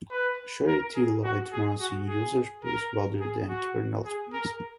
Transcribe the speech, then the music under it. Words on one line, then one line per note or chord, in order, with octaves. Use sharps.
Sharity-Light runs in user space rather than kernel space.
B4
A#4
G#4
F#4
G#4
F#4
G#4
A#4
G#4
F#4
G#4
A#4